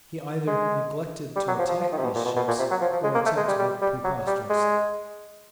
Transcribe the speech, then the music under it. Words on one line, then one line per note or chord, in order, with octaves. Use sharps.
He either neglected to attack these ships or attempted it preposterously.
G#3
G3
F#3
F3
F3
F3
D#3
C3
B2
A#2
B2
B2
A#2
C3
F#3
F3
F3
G#3
A#3
A3
G#3
G3
G3
G3
F#3
G3
G#3